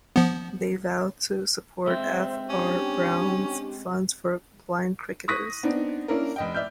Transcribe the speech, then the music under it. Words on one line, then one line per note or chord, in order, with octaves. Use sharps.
They vowed to support F R Brown's Fund for Blind Cricketers.
F3 B3
G#3 C4 C5 E5
C#4 D4 G4
C#6 D#6 F#6 A#6 B6 D#7
B3 C4 D4 D#4
A#3 C#4 D4 E4 A#4
F1 D#5 G5
D5 E5 F6 G6